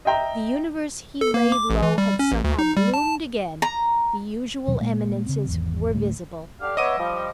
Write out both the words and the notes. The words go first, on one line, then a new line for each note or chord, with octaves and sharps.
The universe he laid low had somehow bloomed again--the usual eminences were visible.
D#5 E5 G5 A#5
A4
A#3
D6
A1
E3
G3
C#4
A1
D2
D#4
G3
A5
A#5
D#2 B2 F#3
A#2 G#3 A#3
C#3 C4
G#1 E2
D2 A2 A3
D3 G4 F5
B3 C#5 D#5 E5 D6 D#7
F3 G3